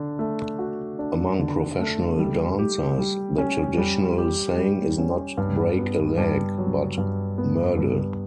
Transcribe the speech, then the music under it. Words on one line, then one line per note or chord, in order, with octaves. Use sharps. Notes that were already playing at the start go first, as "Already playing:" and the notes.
Among professional dancers, the traditional saying is not "break a leg," but "merde".
Already playing: D3 D4
A3
F#4
D4
D3
A3
G3
G4
G3
C#4
G3
G4
G3
C#4
G2
B3
G2
F#3
G2
B3
G2